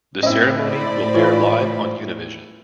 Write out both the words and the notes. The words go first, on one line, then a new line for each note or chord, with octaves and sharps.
The ceremony will air live on Univision.
A2 C4 C#4 E4 D#5
C5 D5 B5
E3 F4 C#5